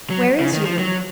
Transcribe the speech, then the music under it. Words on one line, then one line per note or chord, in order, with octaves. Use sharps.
"Where is your room?"
F#3
C#3
D#3
F3
F#3